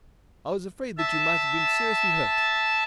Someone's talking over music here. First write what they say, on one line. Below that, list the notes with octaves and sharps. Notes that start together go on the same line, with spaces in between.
I was afraid that you might have been seriously hurt.
E5 A5